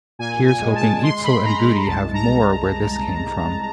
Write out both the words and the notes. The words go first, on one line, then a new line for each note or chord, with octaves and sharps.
Here's hoping Eitzel and Vudi have more where this came from.
A#2 G#5
G#5
G#3
A5
G#3 C6
B5
G#3 A#5
C2 A5
A#5
C2